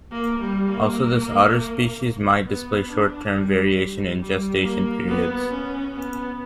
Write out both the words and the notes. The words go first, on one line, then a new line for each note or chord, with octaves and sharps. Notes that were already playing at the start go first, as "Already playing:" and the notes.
Also, this otter species might display short-term variation in gestation periods.
A#3
G3
A#3
B3
D4
G3
G3
A#3
B3
C#4
B3